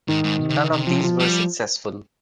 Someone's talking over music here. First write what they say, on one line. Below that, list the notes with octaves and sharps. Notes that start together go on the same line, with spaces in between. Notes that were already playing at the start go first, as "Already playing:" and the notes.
None of these were successful.
G#2 D#3
G#2
C3
C#3
C3
F3
F3
G3